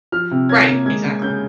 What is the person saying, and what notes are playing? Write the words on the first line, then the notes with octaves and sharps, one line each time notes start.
Right. Exactly.
F3 F6
C3
C#4 G#6
A#3
G#3 G#6
C#3
C#3 G6